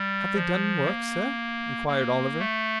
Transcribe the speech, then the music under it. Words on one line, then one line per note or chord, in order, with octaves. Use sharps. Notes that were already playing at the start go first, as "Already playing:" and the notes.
'Have they done work, sir?' inquired Oliver.
Already playing: G3
F3
A#3
A#3
A3